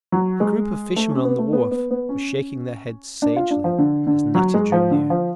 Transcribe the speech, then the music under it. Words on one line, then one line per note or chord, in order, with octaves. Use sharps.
A group of fishermen on the wharf were shaking their heads sagely as Natty drew near.
F#3
G#3
A3
C#4
B3
A3
B3
B3
B3
C#4
D4
F4
D4
F3
D3
D3
F#3
G#3
F3
D3
F3